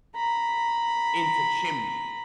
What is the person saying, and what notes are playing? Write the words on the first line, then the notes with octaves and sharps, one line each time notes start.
into chimneys
A#5 B5